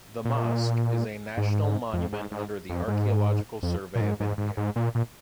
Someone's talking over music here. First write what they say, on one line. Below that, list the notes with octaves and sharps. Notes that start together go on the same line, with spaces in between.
The Mosque is a National Monument under the Archaeological Survey of India.
A#2
G#2
F2
G#2
G#2
F2
G#2
F2
A#2
G#2
G#2
G#2
G#2
A#2
A#2